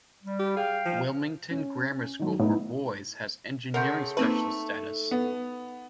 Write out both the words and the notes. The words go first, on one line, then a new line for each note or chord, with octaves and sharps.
Wilmington Grammar School for Boys has engineering specialist status.
G3
G4
G#4 F5 G5
F3
C#4
D#3 F#3
A2 B3 D#4 E4
C#3 A3 A#4 F#5 C6 G6
A3 A#3 C4 D#4 B4
B3